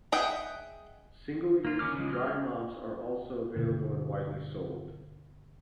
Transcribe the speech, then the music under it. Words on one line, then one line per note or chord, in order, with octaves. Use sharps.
Single-use dry mops are also available and widely sold.
G#4 D#5 E5 F#5 G5
A#3 F4
D#3 C#4 D6 F6
C#3 F3 G#3
G#3 F6
G2 B2 D3